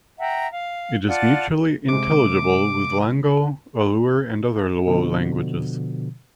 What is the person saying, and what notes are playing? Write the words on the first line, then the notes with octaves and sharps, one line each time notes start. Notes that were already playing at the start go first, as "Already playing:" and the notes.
It is mutually intelligible with Lango, Alur and other Luo languages.
E5 F#5 G5 A#5
F5
F4 D5 F#5 A5
C3 G#3 D6
B2 D3 F3